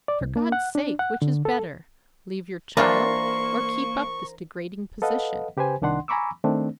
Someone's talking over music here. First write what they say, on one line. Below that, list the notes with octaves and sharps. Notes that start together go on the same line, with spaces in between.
"But, for God's sake, which is better?--leave your child, or keep up this degrading position?"
D5
C2
A#3
F#5
D4
F#5
D3
A4
E3 A#3 D4 F4 A#4 C5 C#6
A4 B4 D#5 F5 F#5
C#3 G4 B4 C5 G#5
C2 D#3 D4 F#5 C6
G#5 A#5 B5 C#6 D6 E6
D#3 A3 C4 D4